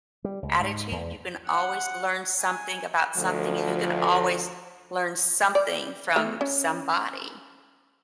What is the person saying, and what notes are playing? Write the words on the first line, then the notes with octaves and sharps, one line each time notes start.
attitude. You can always learn something about something, and you can always learn something from somebody.
G3
C#2
G#2
E2
F#5
G#5
D2 F3
D5
A3
C#4